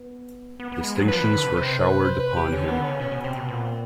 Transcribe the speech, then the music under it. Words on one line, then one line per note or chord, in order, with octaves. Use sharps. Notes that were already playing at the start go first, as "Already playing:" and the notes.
Distinctions were showered upon him.
Already playing: B3
B3
B3
G#3
F#3
F3 B4
D#3
D3
C3
C3 C5
B4
C5
B4
G4
D3 C#4
D#3 B3
D3
C#3 C#4
B2 C#4
B2
C3 C4
B2
A#2 B3
C4